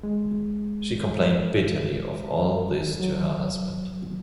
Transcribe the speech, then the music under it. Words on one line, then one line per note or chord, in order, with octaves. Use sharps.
She complained bitterly of all this to her husband.
G#3
F#3